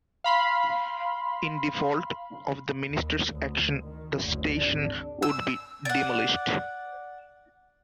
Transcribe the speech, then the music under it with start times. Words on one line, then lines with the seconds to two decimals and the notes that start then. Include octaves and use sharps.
In default of the Minister's action, the station would be demolished.
0.24 F5 B5 C6
2.90 D#2
3.33 D2
3.83 D#3
4.18 F#1 D2
4.59 G#1 D4
5.22 E6
5.85 D5 F#5